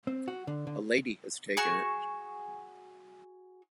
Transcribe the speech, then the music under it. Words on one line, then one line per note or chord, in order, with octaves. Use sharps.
A lady has taken it.
C4
F#4
D3
D3
F#4 G#4 C#6